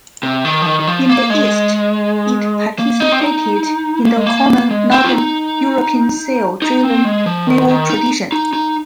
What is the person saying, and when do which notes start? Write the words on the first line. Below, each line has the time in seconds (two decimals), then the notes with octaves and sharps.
In the east it participated in the common northern European sail-driven naval tradition.
0.23 C3
0.45 D#3
0.62 F3
0.66 D#3
0.79 D#3
0.87 F3
1.09 A#3
1.30 G#3
2.79 A#3
3.00 D#4
3.12 C4
3.21 D#4
4.07 A#3
4.17 G#3
4.27 A#3
4.71 G#3
4.91 C4
5.04 F4
5.13 D#4
6.62 D#4
6.83 C4
7.05 G#3
7.26 F3
7.47 D#3
7.68 D#3
7.90 D#4
8.32 D#4
8.53 D#4